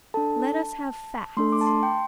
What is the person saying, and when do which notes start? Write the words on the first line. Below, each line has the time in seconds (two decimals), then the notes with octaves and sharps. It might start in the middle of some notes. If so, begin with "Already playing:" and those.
Let us have facts.
0.14 D4 A4 A5
1.37 A3 D4 A4 C6
1.52 D6
1.61 A5
1.67 C6
1.83 G5